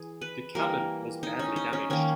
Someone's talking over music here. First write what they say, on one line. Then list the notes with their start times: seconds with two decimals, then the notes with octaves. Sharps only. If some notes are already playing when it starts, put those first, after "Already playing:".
The cabin was badly damaged.
Already playing: E3 G#4
0.21 B4
0.55 E3 G3 A#3 A#4
1.23 D#4
1.39 C#4
1.56 D#4
1.73 C#4
1.90 D#3 A#3 C#4